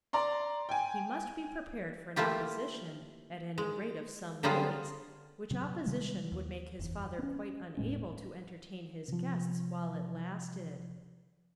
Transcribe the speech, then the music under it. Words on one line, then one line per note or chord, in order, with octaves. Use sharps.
He must be prepared for an opposition, at any rate of some days, which opposition would make his father quite unable to entertain his guests while it lasted.
D5 A#5 C6
G5 G#5
A3 A#3 E4 F4 G4
G#3
D3 F#3 G3 B3 F4 G#4
C3 F#3 C4
C3 D#3 G3 G#3
D#2
F#1 E2
C4 C#4
E1 A2 G#3 C#4
C3 F3